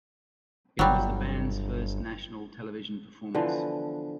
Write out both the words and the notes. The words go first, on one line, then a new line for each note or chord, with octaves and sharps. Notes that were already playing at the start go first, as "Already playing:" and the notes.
It was the band's first national television performance.
G1 F#3 G3
D3 E3 F3 B3